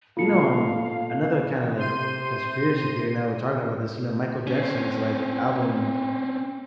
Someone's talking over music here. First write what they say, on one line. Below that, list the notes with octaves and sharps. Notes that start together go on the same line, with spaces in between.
You know, um, another kinda, like, conspiracy theory, now we're talking about this, you know, Michael Jackson's, like, album,
A#2 B3 F4 A4 F5 A5 C#7
C3 C5 C6 D#7
C4 C#4